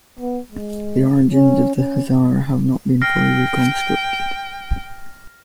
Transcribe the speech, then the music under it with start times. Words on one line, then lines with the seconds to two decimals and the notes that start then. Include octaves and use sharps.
The origins of the Hazara have not been fully reconstructed.
0.20 B3
0.52 G#3
1.32 C#4
1.76 C#4
3.02 G5 F6 A#6 C7